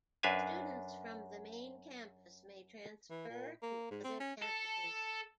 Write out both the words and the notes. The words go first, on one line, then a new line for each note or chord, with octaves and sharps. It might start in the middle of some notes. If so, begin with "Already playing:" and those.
Students from the Main Campus may transfer to other campuses.
F#2 D4 B4 E5 F5 G#5
E3
A#2
A#3
G#2
C4
C#4
A4